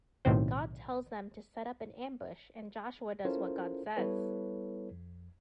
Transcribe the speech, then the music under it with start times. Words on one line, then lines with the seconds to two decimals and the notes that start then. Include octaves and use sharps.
God tells them to set up an ambush and Joshua does what God says.
0.25 B1 A2 C3 D#3 C4 C5
3.25 C#4 E4 F4 A4 A#4 C5
3.97 G3 B3 E4 A4 B4 C#5
4.91 F2